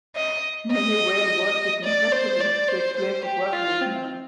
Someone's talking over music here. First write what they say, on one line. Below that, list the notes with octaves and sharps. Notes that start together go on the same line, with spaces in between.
Many whale worshiping festivals take place across Vietnam.
D#5
D#5
D5
C5
D5
C5
C5
G4
F4
C4